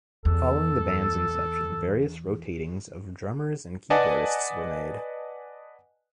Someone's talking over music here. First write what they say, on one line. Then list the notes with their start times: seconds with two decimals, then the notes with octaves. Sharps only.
Following the band's inception, various rotatings of drummers and keyboardists were made.
0.25 E2 A4
3.90 B4 D5 D#5 F#5 G#5 A5